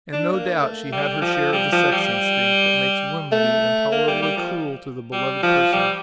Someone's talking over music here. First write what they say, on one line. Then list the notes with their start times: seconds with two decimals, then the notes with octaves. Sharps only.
And, no doubt, she had her share of the sex instinct that makes women be intolerably cruel to the beloved person.
0.13 D4
0.33 A#3
0.62 A3
0.92 G3
1.22 F3
1.53 G3
1.72 F3
1.92 G3
3.32 A3
3.92 A#3
4.08 G3
4.22 G3
4.37 F3
5.12 G3
5.43 F3
5.73 G3